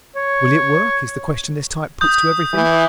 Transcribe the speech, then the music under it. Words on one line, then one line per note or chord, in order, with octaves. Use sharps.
"Will it work?" is the question this type puts to everything.
C#5
D#6 G6
E3